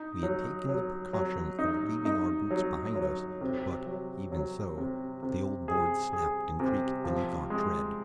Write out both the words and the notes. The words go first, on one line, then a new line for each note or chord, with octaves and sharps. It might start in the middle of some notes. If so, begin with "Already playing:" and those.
We had taken the precaution of leaving our boots behind us, but, even so, the old boards snapped and creaked beneath our tread.
Already playing: D#4
F#3
F#3
F#3
D#4
D#4
F#3
F#3
C3
F#3
F#3
C3
C3
G#4
G#4
C3
F3
G#3